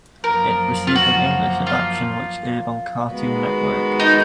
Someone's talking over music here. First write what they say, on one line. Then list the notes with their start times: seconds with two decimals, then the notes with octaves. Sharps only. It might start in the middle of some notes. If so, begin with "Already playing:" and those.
It received an English adaptation which aired on Cartoon Network.
0.24 F#2 F3 A#3 A#4
0.87 F4
0.96 F#4
1.67 F4
3.10 D#3 G#3 B3 F#4 B4
4.00 D#4